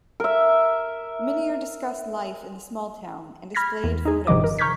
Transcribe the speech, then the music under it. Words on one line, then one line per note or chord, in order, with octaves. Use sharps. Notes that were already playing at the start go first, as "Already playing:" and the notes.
Minnier discussed life in the small town and displayed photos.
A#4 E5
B5 F6 G#6 A#6 B6
E2
D#4 G#4
G1 C3 D#3 F3 D#5 D6
A#4
A#5 C#6 F6 G6 G#6 B6